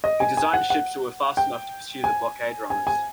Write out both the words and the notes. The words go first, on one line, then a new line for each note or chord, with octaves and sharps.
He designed ships that were fast enough to pursue the blockade runners.
D#5
G#5
G#5
F#5
F#5
G5
G#5
G#5
G#5